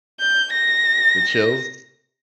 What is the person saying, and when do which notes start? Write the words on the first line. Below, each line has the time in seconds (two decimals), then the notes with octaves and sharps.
Uh, the chills?
0.20 G6
0.52 A#6